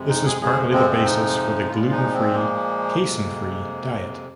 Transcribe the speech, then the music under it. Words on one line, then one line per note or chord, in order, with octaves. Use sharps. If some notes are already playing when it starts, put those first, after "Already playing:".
This is partly the basis for the gluten-free, casein-free diet.
Already playing: F2 C3 G#3
D#4
G#4
F2 C3 F3 G#3 G#4
C4
C4
D#4
A#2 F3 G#3 F4
D#4
C4
A#3
F2 C3 G#3